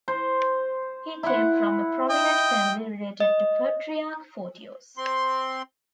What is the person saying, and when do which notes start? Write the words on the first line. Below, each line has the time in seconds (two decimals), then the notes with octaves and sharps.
He came from a prominent family related to Patriarch Photios.
0.08 C5
1.23 E4 F#5
2.10 D#5 G5
3.20 D#5
4.97 C4 C6